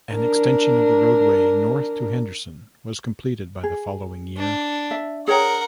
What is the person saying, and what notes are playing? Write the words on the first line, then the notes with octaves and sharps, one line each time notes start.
An extension of the roadway north to Henderson was completed by the following year.
D4 A#4
G#4
D4
E5
G#4 A#4 C#5 F#5 G5